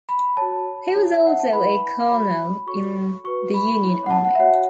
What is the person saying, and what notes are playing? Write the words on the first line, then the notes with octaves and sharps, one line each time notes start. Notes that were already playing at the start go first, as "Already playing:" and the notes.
He was also a colonel in the Union Army.
B5
F#4 C#5 A5
E4 C#5
E5
F#5
A5
E4 B4 B5
F#4 C#5 B5
F#4 A4 C#5 C#6
F#4 B4 C#6
B5
E4 C#5
F#5
A5
F#5
E5
F#4 C#5 F#5